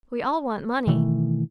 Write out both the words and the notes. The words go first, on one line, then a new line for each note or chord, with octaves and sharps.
We all want money.
B2 D#3 E3 A3